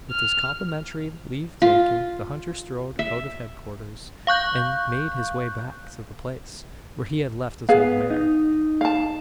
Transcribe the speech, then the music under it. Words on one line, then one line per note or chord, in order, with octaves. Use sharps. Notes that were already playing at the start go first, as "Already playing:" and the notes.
With this complimentary leave-taking the hunter strode out of head-quarters, and made his way back to the place where he had left his old mare.
F6
F4
E5
F5 C#6 F#6 G6
B3 G#4 F5
D#4
F5 A5